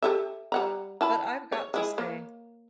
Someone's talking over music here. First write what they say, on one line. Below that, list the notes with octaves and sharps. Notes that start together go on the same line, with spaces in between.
But I've got to stay.
G4 A4 E5
G3 F#5 A#5
E4 A5 B5
C#5
G#3 E4 G#4
A#3 C#5